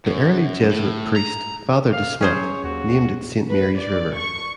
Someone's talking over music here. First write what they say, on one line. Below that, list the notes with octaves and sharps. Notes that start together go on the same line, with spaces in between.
The early Jesuit priest, Father De Smet, named it Saint Mary's River.
F#2
A2
A#5
F5
F#3 C#4 G#4 C5 C#5
D#2 F#4
B4
D5
C#6